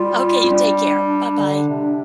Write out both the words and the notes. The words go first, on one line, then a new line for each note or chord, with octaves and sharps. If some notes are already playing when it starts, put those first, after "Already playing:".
Okay, you take care, buh-bye.
Already playing: G3 F4
C4
G3 D4
D3
C3